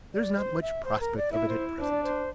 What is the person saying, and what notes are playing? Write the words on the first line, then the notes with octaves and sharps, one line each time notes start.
There is not much prospect of it at present.
D5
C5
E5
C5
A#4
D5
E4 E5
C5
D4 C5
D5
C5